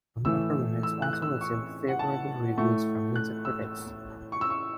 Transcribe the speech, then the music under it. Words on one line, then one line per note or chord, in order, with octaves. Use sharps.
The "Murder Remix" also received favorable reviews from music critics.
A2 E3 A3 E6
E6
F#6
F#6
E6
C#6
F#5
A5
A2 A3 C#6
F#6
E6
C#6
E6
C#6